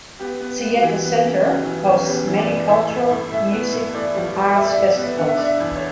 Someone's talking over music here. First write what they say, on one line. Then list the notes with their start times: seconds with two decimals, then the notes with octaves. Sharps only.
Seattle Center hosts many cultural, music and arts festivals.
0.19 B3 G4
0.40 B3
0.61 B3
0.74 F#4
0.82 E3 G4
1.03 B3
1.23 C#3
1.44 C#3 F#4
1.65 E3
1.87 E2
2.06 B3 G4
2.27 E3
2.37 D5
2.48 E2
2.68 A2 E5
2.89 A2
3.10 A2
3.31 A2 E5
3.52 B3
3.73 A2
3.93 A2 D5
4.14 G3
4.35 G3
4.55 G3 E5
4.64 D5
4.72 A2 E5
4.97 B3
5.17 D3 F#5
5.28 E5
5.37 D3 D5
5.45 E5
5.60 E2
5.75 C#5